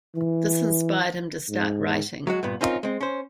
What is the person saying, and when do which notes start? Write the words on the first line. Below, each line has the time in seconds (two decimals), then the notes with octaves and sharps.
This inspired him to start writing.
0.15 E3
1.50 G#2
2.27 F#3 G#3 F#4
2.43 G2 A#2 B3
2.61 C4 C#4 D#4 F4 G#4 A#4
2.83 G#3 C4
3.01 C#4 C5